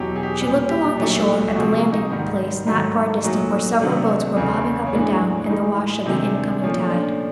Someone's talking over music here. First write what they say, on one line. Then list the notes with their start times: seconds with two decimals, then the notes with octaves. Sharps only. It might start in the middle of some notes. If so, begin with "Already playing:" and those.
She looked along the shore at the landing-place not far distant where several boats were bobbing up and down in the wash of the incoming tide.
Already playing: E2 B2 F#3 G4
0.16 G#4
0.23 G4
0.41 A#2 G3
0.69 G4
0.97 A#2 F#3 A3
1.54 C3 F3 G#3 F#4
1.92 D#4
2.10 G#2 D#3 G3
2.67 G#2 D#3 F#3 A3
3.24 A#2 F#3 A3 D#4
3.80 C3 D#3 F#3 A3 D4
4.36 E2 C#3 E3
4.87 C#4
4.93 A2 E3 G#3 D4
5.49 A2 E3 G#3 D#4
6.06 C3 D#3 G#3 D4
6.35 D4
6.62 A#2 F3 A3 C#4
6.90 D4